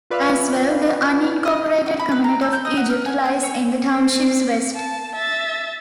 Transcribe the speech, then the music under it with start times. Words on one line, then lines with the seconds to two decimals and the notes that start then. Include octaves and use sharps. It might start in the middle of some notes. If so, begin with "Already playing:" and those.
As well, the unincorporated community of Egypt lies in the township's west.
0.10 F4 B4 D5 E5 F5
1.45 D#5
1.86 F#4
2.00 B5
2.11 B4
2.24 A#5
2.41 A4
2.53 G6
2.65 D#5
2.77 F#4
2.90 A#4
3.06 G#5
3.25 G#5
3.43 C#5
3.88 C4
4.75 A5
5.15 E5 A6